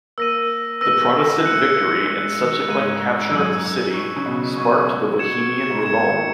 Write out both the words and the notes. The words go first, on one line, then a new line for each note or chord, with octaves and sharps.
The Protestant victory and subsequent capture of the city sparked the Bohemian Revolt.
A#3 E6 A#6 D#7
B3 E6 A#6 D#7
F#6 C#7 F#7
A#3
G#3 F#6 C#7 F#7
D#3
G#2 G#6 D#7 F#7
G#2
F#2 G#6 D#7 F#7
C#6 G#6 D#7
C#3
B2
B2 C#6 G#6 D#7
G#6 C#7 E7
G#2
A#2 G#6 C#7 E7
D#3